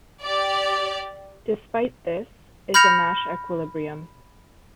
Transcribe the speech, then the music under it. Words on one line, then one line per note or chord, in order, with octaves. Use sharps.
Despite this, is a Nash equilibrium.
G4 D5
B5 F6 G6 A#6 C#7 F7